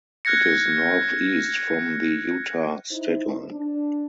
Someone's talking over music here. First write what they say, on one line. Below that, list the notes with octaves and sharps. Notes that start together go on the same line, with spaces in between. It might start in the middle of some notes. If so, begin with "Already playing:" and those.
It is northeast from the Utah state line.
F6 F#6 G#6 A#6 C#7
D#4 E4 C5
D4